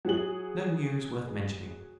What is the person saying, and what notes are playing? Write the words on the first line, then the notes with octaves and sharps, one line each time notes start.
No news worth mentioning.
F#3 G#4 F#7